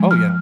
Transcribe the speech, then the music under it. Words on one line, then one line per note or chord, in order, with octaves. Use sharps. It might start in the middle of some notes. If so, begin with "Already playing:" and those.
Oh, yeah.
Already playing: F3 G#3
F6